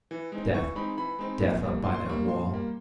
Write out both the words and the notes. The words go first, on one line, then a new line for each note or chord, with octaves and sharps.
Death, death up by that wall.
E3
G#3 C4 D#4
E3 C#6
G#3 C4 D#4 B5
E3 B5
G#3 C4 D#4
A#2
G3 A#3
A#2 C6
C6
G3 A#3 C#6
A#2 C6
G3 A#3